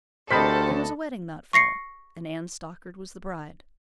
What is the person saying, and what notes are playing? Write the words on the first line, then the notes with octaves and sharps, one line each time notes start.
There was a wedding that fall and Anne Stockard was the bride.
D2 G4 A4 A#4 C5 D#5 B5 B6
C#6 A#6 C7 C#7